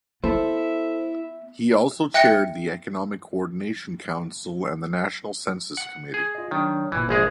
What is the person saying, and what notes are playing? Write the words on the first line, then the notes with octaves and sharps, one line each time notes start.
He also chaired the Economic Coordination Council and the National Census Committee.
B3 E4 A4 C5 E5
E5 G5 F#6 A#6 C#7
F#5
G#4
F4 D#5
D#3 F#3 D4 C#5
G1 A#2 E3
A#1 G#3 G#4